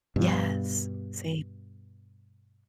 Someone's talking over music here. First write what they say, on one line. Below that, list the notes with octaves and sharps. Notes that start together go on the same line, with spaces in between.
Yes. Same.
G2 B2